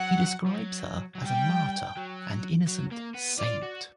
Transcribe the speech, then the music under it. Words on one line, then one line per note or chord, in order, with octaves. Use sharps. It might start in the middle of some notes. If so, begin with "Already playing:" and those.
He describes her as a martyr and innocent "saint".
Already playing: F#3 F#5
F3
F#3
F#3
G3 G5
F#3
F#3
A#3
B3
F4 D5
F#4